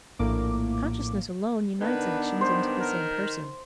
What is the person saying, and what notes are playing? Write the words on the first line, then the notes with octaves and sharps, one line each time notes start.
Consciousness alone unites actions into the same Person.
A#1 A2 A#3 D6
D#3 B3 D4 B4
G3 C5
A#4